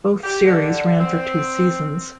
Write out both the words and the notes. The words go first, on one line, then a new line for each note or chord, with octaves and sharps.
Both series ran for two seasons.
G4
D3
C4